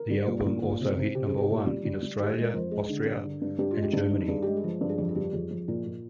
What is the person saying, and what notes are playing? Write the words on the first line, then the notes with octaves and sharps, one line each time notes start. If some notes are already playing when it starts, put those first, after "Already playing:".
The album also hit number one in Australia, Austria, and Germany.
Already playing: A#4
G3
A#2
A#2
A#2
C3
C3
C3 G4
G#4
C3
G4
A#2 G4
G3
G3
G3
D#3 G4
G#4
G#3
A#4
F2 C5
G#3 G#4
D3
G2
D3
G2
G2 G4
F4
G#3
G4
G2
D#3
G2 G#4
G#3 G4
G#4
F3
G2
G#4
F2 G4
G#4
G3 G4
F2 G#4
F2
A#2
A#2